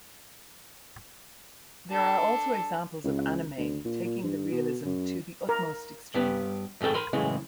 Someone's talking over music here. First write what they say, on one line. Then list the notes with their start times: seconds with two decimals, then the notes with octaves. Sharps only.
There are also examples of anime taking the realism to the utmost extreme.
1.90 D4 A4
3.04 C#2
3.58 D2
3.85 A#2
4.04 A#2
4.23 G2
4.52 B2
4.85 F#2
5.49 A#4
6.14 G2 B3 G4
6.81 F2 G#2 D#3 A4 G5
6.94 A#4 B5 C6
7.13 F#2 A2 C#3 E3 G#3